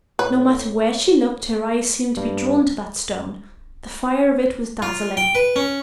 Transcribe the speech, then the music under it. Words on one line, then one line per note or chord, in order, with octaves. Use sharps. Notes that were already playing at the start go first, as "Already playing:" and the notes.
No matter where she looked, her eyes seemed to be drawn to that stone; the fire of it was dazzling.
A2 B4
G2
F4
G5
B4
C#4